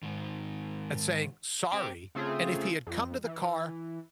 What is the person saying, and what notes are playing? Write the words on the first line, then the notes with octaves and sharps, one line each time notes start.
and saying "Sorry," and if he had come to the car,
G#2 D#3
C4 G4
C#3 A3 C4 F4 G#4
F2
E3